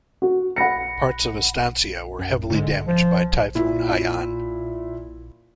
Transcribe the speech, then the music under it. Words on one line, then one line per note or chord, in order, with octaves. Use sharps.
Parts of Estancia were heavily damaged by Typhoon Haiyan.
F#4
F#5 B5 A#6 C#7
F#2
G#2 D3 G#3
F3
A#2 E4